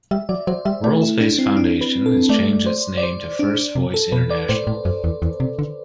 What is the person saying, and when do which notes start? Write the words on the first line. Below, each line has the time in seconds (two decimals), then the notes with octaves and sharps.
WorldSpace Foundation has changed its name to First Voice International.
0.11 G3 E5
0.29 F#3 D5
0.47 F#3 C5
0.65 G3 E5
0.84 A3 D5
1.02 E4
1.20 D4
1.39 C4
1.57 D4
1.81 B4
2.06 A4
2.29 A3 D5
2.66 C5
2.97 D5
3.03 C5
3.39 D4
3.75 C3
3.94 A4
4.12 B2 B4
4.30 D5
4.49 A2 C5
4.67 A2
4.85 F#2
5.04 E2
5.22 E2
5.40 C3
5.59 D3